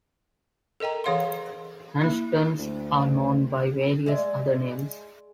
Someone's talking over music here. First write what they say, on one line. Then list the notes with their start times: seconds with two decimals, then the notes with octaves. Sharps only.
Handstands are known by various other names.
0.80 A4 A#4 D#5 G5 A#5
1.04 E3 G#4 C#5 F5 F#5 C6
2.02 A#3 E4
2.59 D2
4.06 G#3 D5 E5